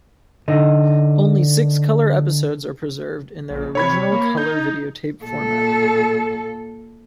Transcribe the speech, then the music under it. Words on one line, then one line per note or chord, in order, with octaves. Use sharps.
Only six colour episodes are preserved in their original colour videotape format.
D3 D#4
A#1
C3 C#5 B5 G#6
A#3
D#4 G6
A#2 A4